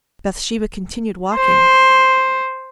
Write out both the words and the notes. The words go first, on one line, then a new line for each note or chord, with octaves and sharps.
Bathsheba continued walking.
C5